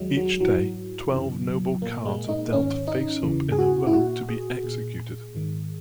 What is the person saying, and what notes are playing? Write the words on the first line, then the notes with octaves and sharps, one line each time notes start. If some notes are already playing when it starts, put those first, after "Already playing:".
Each day, twelve noble cards are dealt face-up in a row to be executed.
Already playing: E2 D#3 F#3 G#3
F#3
G#2 E3 F#3
F#2 C#3 E3
A#2 A#3
G#3
D#4
G#2 D#3 C#4
D#4
E2 C#3 E3
G#4
F#4
E4
A#2 F#4
G#4
A#2
G#2 D#3